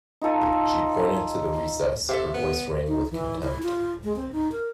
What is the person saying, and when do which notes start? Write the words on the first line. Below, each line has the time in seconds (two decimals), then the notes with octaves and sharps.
She pointed to the recess; her voice rang with contempt.
0.22 D#4 F4 A4 G#5
2.09 C3 A4 E5 F5
2.34 B3
2.87 D#4
3.11 E3
3.43 E4
3.63 F4
4.04 G#3
4.16 C4
4.32 D#4
4.52 A#4